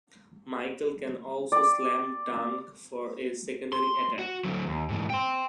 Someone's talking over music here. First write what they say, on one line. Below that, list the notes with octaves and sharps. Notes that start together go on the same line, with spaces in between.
Michael can also slam dunk for a secondary attack.
D5 D6
C6
F#4
D3 F#3
D#2
G#2 E3
G5 C6